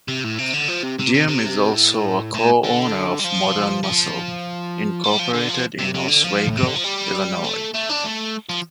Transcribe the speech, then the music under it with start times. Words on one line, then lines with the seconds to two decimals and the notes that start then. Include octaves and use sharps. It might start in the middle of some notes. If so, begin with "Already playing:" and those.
Diem is also a co-owner of Modern Muscle, Incorporated in Oswego, Illinois.
0.08 C3
0.24 A2
0.39 C3
0.53 D3
0.68 F3
0.83 C3
0.99 C3
1.14 C3
1.28 C3
1.73 A2
2.34 A2
2.64 D3
3.19 G3
3.24 F3
3.83 F3
5.04 G3
5.19 F3
5.33 D3
5.49 F3
5.79 C3
5.94 C3
6.08 D3
6.24 F3
6.49 A2
6.57 C3
6.66 D3
6.76 F3
6.84 G3
7.44 A3
7.74 A3
7.89 D4
8.04 A3
8.49 F3